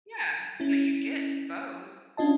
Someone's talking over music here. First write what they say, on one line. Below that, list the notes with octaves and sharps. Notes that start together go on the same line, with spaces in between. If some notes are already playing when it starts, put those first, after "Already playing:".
Yeah, so, you'd get both
C#4 E4
C#4 D4 F4 D#5 A5